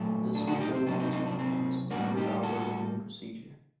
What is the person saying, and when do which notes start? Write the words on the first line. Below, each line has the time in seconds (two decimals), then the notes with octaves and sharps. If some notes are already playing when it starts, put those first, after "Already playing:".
This would go on to become the standard operating procedure.
Already playing: A#2 F#3 A3
0.35 D4
0.47 D4 F#4
0.60 D#4 G4
0.74 C4
0.87 C3 F#3 A#3 D4
1.00 C4 D#4
1.13 C4 D#4
1.26 D4
1.39 C4
1.91 A2 G3 A#3 D4 F#4
2.17 D#4 G4
2.43 F#4 A4